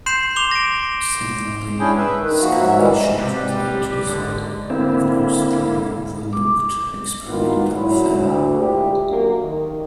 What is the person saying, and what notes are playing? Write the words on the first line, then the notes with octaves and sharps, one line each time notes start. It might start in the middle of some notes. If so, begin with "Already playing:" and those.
Similarly, scanlation translators have mostly overlooked experimental fare.
C6 G6 C7 E7
D6 F7 G7
A#6 D7
C#4 D4 E4 G#4 G5
B4 E5
D#3
F3 A#3 F#4
G#2 F#3 E5
G2 D#3 E3 G3 G#3
C3 G3 G4 B4
B1
F#1 G#2 D3
D3 A#3 C4 E4
D6
D#3 E3 A#3 B3 F4 F#4
A#2 C#3 F#3 E4
D2
A#2 G#3 E4 G4
F#2 D3 A#3 F#4
D#3